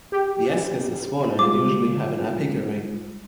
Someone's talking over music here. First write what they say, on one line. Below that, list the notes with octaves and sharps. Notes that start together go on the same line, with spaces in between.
The ascus are swollen and usually have an apical ring.
G4
G3 G#3 F4 D6